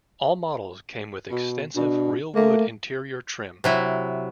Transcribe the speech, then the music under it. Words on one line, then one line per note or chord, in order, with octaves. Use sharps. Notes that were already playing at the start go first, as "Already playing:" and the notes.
All models came with extensive, real wood interior trim.
B2
B2 D4
A3 A#3
C3 F#3 E4